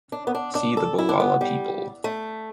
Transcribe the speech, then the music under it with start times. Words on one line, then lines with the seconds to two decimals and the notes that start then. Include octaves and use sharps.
See the Bulala people.
0.12 D4
0.27 B3
0.35 D4
0.55 D4
0.77 A4
0.98 E4
1.09 D4
1.20 B3
1.41 G3
2.04 A3